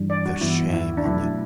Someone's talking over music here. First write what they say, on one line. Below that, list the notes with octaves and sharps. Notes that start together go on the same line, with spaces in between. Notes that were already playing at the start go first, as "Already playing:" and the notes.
For shame on you!
Already playing: G2 E3 G3 D4
D5
F#4
G2 E3 B3 E4
E4
D4
B2 F#3 A3 E4